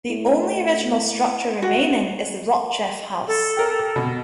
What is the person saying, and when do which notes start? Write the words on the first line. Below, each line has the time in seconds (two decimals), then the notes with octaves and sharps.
The only original structure remaining is the Rotchev House.
0.09 A2
1.62 F#4
3.27 A4
3.57 G4 A#4
3.96 B2